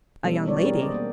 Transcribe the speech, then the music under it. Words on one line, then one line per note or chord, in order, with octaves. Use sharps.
"A young lady?"
B2 E3 G3 B3 C#4 A4
G3 G#3 C#5 D5
C#4 D4 G4 G#4 A#4
C5 D5 D#5
A#3 B3